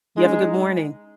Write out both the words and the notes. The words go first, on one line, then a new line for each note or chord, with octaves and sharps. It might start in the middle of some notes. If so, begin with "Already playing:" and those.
You have a good morning.
G#3 D#4
C#4
D#4
D#4